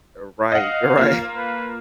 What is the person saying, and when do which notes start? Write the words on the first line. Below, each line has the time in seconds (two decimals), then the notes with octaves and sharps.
R right, right,
0.52 D#5 F5 F#5
0.97 A#3 F4
1.36 B4